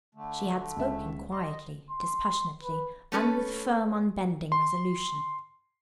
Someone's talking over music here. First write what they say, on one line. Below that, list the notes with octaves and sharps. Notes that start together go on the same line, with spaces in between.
She had spoken quietly, dispassionately, and with firm, unbending resolution.
D3 A3
C#2 E5
D#5 C6
C6
B4
A3 C#4 A4 B4
C6